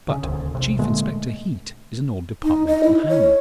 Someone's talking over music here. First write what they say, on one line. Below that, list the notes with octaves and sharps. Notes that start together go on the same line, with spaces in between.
But Chief Inspector Heat is an old departmental hand.
C#3
D#1 D2
A#1 C3
A#2 D3 G#3 A3
D#4
D#5
E4
C#5